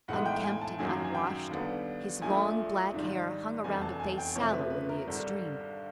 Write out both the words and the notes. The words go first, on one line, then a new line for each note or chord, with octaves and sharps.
Unkempt and unwashed, his long, black hair hung around a face sallow in the extreme.
B1 A2 E3 G#3 F#5
G5
G#5
A5
G#1 F#2 D#3 F#3 A#3 G#5
G#5
G5
D#2 D3 G3 B3
A#1 A#2 F3 A3 G#5
G#1 G#2 D#3 G3
F1 E2 B2 G#5
A5
G#5
G5
F2 C3 F3 A3 C#5
B4
B4
A#4
G#1 G2 D3 G3